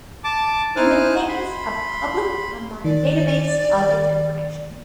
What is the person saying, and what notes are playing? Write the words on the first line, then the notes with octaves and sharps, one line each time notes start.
It maintains a public online database of its information.
A5 D6
D#4 E4 C5 G#5 F6 F#6
B5 C6
D#3 D5